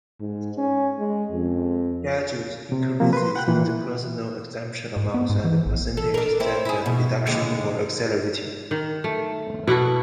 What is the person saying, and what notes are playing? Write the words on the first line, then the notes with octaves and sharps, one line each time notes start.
Scheduled increases in the personal exemption amount and percentage standard deduction were accelerated.
G#2
C#4
G#3
F2
C3
C3 F3 A#3
B4 C6
F#5 G5 F#6
A#2 E3
G#2
B3
G#2
E3
A1
A4
D4 A#4
C4 E4
E4 G#4
B2
D#2 D3 G#3
D#3
A3
B2 E4 F#4 A4